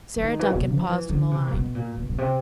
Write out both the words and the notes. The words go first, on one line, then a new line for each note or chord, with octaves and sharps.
Sarah Duncan paused on the line.
E3
D#3
E3
A#2
B2
F3
E3
D3
C3
A#2
B2
A#2
B2
B2
C3